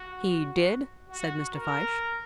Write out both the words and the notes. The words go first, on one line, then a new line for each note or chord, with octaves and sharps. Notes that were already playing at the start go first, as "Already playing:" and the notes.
"He did," said Mr. Fyshe.
Already playing: F#4
F#4
A#4